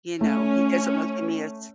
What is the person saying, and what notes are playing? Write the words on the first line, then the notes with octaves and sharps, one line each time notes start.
you know, he doesn't look at me as
A3 C#4